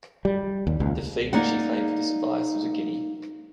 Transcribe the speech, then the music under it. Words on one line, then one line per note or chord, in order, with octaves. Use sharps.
The fee which he claimed for this advice was a guinea.
G3
D#2
C#2
A#3 D#4 D5 F#5